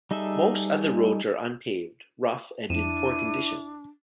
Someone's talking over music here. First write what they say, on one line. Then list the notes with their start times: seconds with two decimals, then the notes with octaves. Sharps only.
Most other roads are unpaved, rough and in poor condition.
0.11 G3 D#4 G#4 A4 E5
2.70 F2 D4 E4 D#7 E7